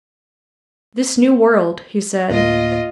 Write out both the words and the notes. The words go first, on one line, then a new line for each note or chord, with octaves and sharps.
"This new world," he said.
D2 A2 A#3 F4 D#5